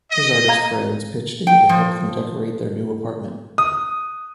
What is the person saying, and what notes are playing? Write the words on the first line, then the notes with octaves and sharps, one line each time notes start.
His artist friends pitched in to help them decorate their new apartment.
D#5
F5 A#5 G#6
G5
F3
D#6